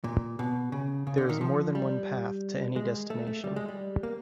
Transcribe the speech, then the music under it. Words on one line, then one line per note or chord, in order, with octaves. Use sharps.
There is more than one path to any destination.
A#2
B2
C#3
C#3
D3
D#3
F3
G3
G#3
A3
A3
G3
G#3
G3
A#3